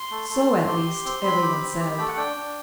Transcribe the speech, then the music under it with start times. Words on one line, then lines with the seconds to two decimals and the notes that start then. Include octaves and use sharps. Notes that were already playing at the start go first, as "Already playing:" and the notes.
So, at least, every one said.
Already playing: C6
0.11 A3
0.30 A3
0.48 C4
0.67 G4
0.87 G4
1.05 C4
1.24 C4 B5
1.42 G4
1.60 C4
1.79 G4
1.98 A3 G5
2.08 F#5
2.17 D4 G5
2.36 D4